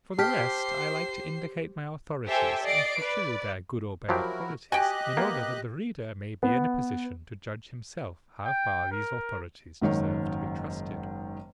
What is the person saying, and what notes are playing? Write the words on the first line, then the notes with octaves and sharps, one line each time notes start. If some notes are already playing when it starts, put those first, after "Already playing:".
For the rest, I like to indicate my authorities and to show their good or bad qualities, in order that the reader may be in a position to judge himself how far these authorities deserve to be trusted.
G4 C5 A5 F6 B6 C7
G4 A4 C5 E5 G5 G#5
D5 D#5 C7 D7
B4 D5
F3 F#3 E4 F#4 G4 A#4
F#4 G4 D#5 G5 G#5 F#6
A#3 B3
B3
G5
A#4
F#1 G#2 D#3 C#5